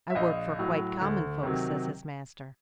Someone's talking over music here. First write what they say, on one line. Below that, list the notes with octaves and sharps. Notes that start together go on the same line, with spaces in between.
I work for quite common folks,' says his master.
E5
A#1 D#5 F5
A2 F#3
D2
C3 D#3 F#3